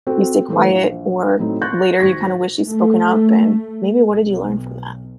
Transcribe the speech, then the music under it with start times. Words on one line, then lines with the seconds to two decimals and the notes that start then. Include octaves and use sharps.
you stay quiet or later you kind of wish you'd spoken up and maybe what did you learn from that?
0.07 C4 F#4 A4 G5
0.48 E3 G3 A3 E4 B4 C5
0.70 A#1
1.39 A2 F#3 C4 D#4
1.62 C6 C#6 F#6 G6 A6 A#6
1.99 G#1 C#6 G#6 A#6 B6
2.67 A3
4.12 B1